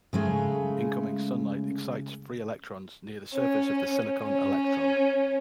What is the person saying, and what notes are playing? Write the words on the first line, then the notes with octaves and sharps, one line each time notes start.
Incoming sunlight excites free electrons near the surface of the silicon electrode.
C#3 G#3 A3
C#4
C#4